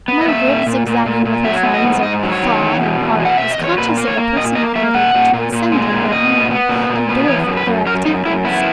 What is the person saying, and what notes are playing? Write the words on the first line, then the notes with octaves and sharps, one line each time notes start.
Margaret, zigzagging with her friends over Thought and Art, was conscious of a personality that transcended their own and dwarfed their activities.
B3
D#5
A#3 E5
A#2
A#2
A#2
A#2
A#2
F#3 E5
B3
D#5
G#2
G#2 D#5
F#3
C#5
D#3
E2
B2
E2
B2
F#5
B2 E5
D#5
E2
C#5
A#2 B4
A#3
C#5
A#3
A#2 D#5
A#3 D#5
A#3 E5
A#2 F#5
A#2
A#2
A#2
G#3
A#2
A#2 D#5
B3
B3
A#2
A#2
B3
E3 C#5
F#2
B4
F#2
F#2 A#4
F#2 D#4
F#2 E4
B3 E4